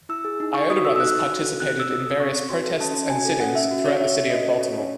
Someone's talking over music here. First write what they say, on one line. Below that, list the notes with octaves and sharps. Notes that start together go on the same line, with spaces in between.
Iota brothers participated in various protests and sit-ins throughout the city of Baltimore.
E4 E6
G#4
D#4
D#4 C#6
F#4 D#6
A4 E6
E6
D#4 F#6
D#4
F#4
A4
C4 F#6
C4 E6
F#4
D#6
A4
C4 C#6
C4
F#4 C6
A4
C#4 A5
C#4
F#4 G#5
A4
C#4 F#5
C#4 E5
F#4
A4 C#5
C#4 E5
C#4
F#4 D#5
A4
C#4 C#5
C#4